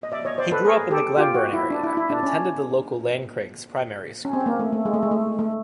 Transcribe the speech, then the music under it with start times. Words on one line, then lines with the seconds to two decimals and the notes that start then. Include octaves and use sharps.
He grew up in the Glenburn area and attended the local Lancraigs Primary School.
0.03 D#5
0.12 D5 E5
0.25 C#5 D#5
0.38 C5 D5
0.52 A4 B4
0.65 G#4 A#4
0.91 G4 A4
1.17 F4 G4
1.34 F#4
1.53 E4
1.71 D4
1.84 E4
1.97 E4
2.10 D4
2.23 C#4
4.25 C#4
4.33 C4
4.46 A#3
4.59 A3
4.73 A3
4.85 G#3
4.94 A3
5.03 G#3
5.11 A3
5.39 A3